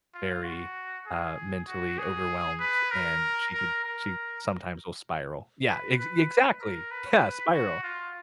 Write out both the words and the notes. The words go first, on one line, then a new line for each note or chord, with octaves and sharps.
very, uh, mentally overwhelmed, and she could she sometimes will spiral. Yeah, ex exactly, yeah, spiral.
F4
F#4
G#4
F#4
G#4
B4
A#4
A#4
A#4
B4
B4
A#4
B4
F#4
F4